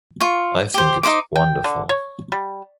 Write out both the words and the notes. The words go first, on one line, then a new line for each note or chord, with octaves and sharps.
I think it's wonderful.
F4 C#6
G4 C5
D#4 F4 C5 D6
G5
D3
C#5
G3